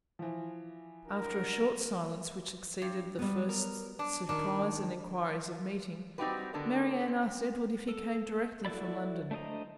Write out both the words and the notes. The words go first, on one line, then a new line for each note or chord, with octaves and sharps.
After a short silence which succeeded the first surprise and enquiries of meeting, Marianne asked Edward if he came directly from London.
E3 F3
D4 F#4 A#4
G2
G3 B3
A#4
D4
D#3 D4
G3 C4 D#4 F#4 G4 B4
D3 B3 D4 F#4 A#4
C4
A4
E4 F#4 A4 D5 B5
A3 D4 C5 D#5 A#5